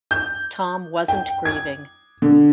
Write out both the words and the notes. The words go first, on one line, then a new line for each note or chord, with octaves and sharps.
Tom wasn't grieving.
G6
G5
G#6
D3